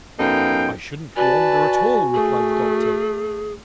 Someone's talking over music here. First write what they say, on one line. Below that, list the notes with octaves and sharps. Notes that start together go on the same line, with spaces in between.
'I shouldn't wonder at all,' replied the doctor.
F#2 B3 D#4 A4 F5 G5
F#4 B4 D5 G#5 A5
A3 G#4